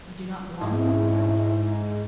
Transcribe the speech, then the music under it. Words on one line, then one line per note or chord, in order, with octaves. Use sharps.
"You do not belong in these parts?"
G#2 E4